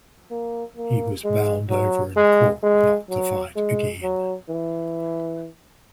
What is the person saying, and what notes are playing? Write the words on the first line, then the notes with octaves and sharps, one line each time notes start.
He was bound over in court not to fight again.
A#3
A#3
G#3
F#3
G#3
G#3
F#3
G#3
F#3
E3